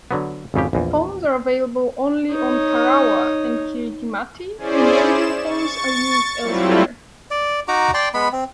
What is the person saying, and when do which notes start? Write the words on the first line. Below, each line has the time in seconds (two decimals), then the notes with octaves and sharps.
Phones are available only on Tarawa and Kiritimati and radio phones are used elsewhere.
0.11 D3 F#3 B3
0.54 G#1 F2 C#3 G4
0.73 A#1 E2
2.31 D#4 C#5
4.58 C#4 E4 G#4 C5 D5
5.01 E7
5.41 C#6 A6
6.42 F#3 G3 A3 C4 E4 F4
7.31 D5
7.68 D#4 F#4 A#5 D6
7.94 D5 G5 A5 C6
8.14 G#3 B3 B5
8.32 C4